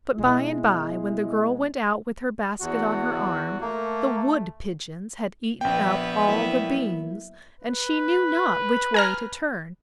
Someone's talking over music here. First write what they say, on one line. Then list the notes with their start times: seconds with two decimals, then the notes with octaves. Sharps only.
But by and by, when the girl went out with her basket on her arm, the wood pigeons had eaten up all the beans, and she knew not which way to turn.
0.18 B2 G#3 E4
2.61 E2 F#4
3.61 A3 A#3
5.61 A#1 B3 E5 G5
6.27 F#3 A#3 E4
7.61 B4
8.94 G#5 A#5 F6